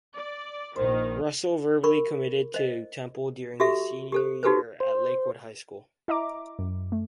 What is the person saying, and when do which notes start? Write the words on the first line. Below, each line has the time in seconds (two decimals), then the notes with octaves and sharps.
Russell verbally committed to Temple during his senior year at Lakewood High School.
0.16 D5
0.76 A#1 D#3 C5
1.83 A#4 B5 C#6
2.54 C5 D#5
3.60 F#4 G4 A4 E5 C#6
4.12 G4 A4 C5
4.43 D#4 F#4 G4 A4 B4 C5
4.80 C5
6.08 E4 D#5 E5 A#5 D6
6.59 F#2
6.92 A3